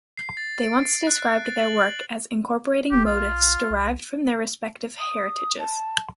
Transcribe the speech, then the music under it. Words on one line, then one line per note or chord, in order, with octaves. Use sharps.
They once described their work as incorporating motifs derived from their respective heritages.
C7
A6
D7
C7
F#6
A6
F#7
A6
E1 G4
B1 F4
C2
D#6
A5